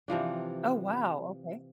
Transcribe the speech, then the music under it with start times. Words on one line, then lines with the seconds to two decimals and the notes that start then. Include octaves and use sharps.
Oh, wow, okay.
0.08 C3 E3 F3 D4